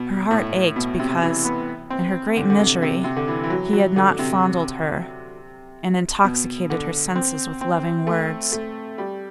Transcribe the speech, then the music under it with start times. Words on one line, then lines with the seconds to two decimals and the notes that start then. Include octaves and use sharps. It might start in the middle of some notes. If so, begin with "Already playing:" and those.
Her heart ached because, in her great misery, he had not fondled her, and intoxicated her senses with loving words.
Already playing: B2
0.31 A2
0.76 B2
0.99 C3
1.23 E3
1.45 B3
1.90 C4
2.36 D3
2.50 D3
2.59 C3
2.82 C3
3.04 C3
3.16 D3
3.28 E3
3.44 E3
3.50 F#3
3.73 F#3
3.96 D3
4.19 C3
6.24 B2
6.70 D3
7.16 C4
7.61 C4
8.07 A3
8.52 A3
8.98 G3